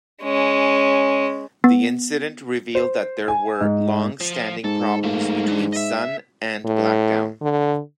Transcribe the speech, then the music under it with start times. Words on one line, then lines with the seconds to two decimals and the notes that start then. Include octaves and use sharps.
The incident revealed that there were long standing problems between Sun and Blackdown.
0.23 G#3 C#4
1.64 B3
2.75 C5
3.28 G#5
3.61 G#2
4.21 F3
4.64 G#2 A4
5.04 A3 A#3
5.48 E3 D4
5.72 D#5 E5
6.65 A2
7.42 D3